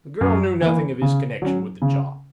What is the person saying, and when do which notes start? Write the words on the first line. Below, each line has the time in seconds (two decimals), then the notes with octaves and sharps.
The girl knew nothing of his connection with the job.
0.21 F#2
0.61 E3 A#3
1.02 C#3
1.42 F#3 C#4
1.82 C#3